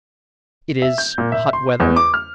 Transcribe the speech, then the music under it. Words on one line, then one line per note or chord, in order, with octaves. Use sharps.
It is hot weather.
E5
G6
A#2
E5
C6
E2
D6
F6